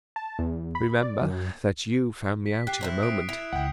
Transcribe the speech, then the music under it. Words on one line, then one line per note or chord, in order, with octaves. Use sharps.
Remember, that you found me out in a moment.
A5
E2
B5
D5
F#2
B6
G4 F#6 C7
C4 D4 E4
D#6 D7
E4 F7
C#2 F#5 G5